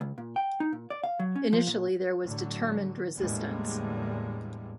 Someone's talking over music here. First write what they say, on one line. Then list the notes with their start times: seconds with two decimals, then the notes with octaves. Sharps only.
Initially there was determined resistance.
0.01 C#2
0.18 A#2
0.36 G5
0.60 D#4
0.73 A#2
0.90 D5
1.04 F5
1.19 F#3
1.36 C#4
1.53 F3
1.67 A#2
2.23 A2 D3 F#3
3.16 E2 A2 D3 G3 G#3 A#3